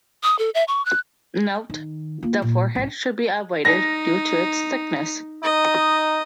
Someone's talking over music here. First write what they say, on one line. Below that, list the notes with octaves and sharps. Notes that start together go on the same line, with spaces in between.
Note: The forehead should be avoided due to its thickness.
D#6
A4
E5
C#6
F#6
D#3
A#3 F4
A#2
C2 G#2
D#4 A#6
D#4 D#5